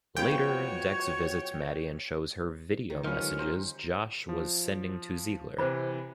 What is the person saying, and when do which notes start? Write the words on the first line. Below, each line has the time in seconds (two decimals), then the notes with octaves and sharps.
Later, Dex visits Mattie and shows her video messages Josh was sending to Ziegler.
0.17 F3 G#3 B3 F#4 C#5 G5
2.90 D#3
3.04 D#3 F#3 C#4 F4 G4 C5 F5 B5
3.21 D3 G#3
3.39 F#3 D#4 C5 D#5
4.29 F3
5.58 C3 E3 C5 B5